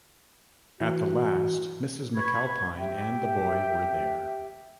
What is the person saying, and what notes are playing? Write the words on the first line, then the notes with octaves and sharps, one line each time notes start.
At the last Mrs. McAlpine and the boy were there.
E3 F#4
B4 B5 C#6 G#6
G4 E5 G5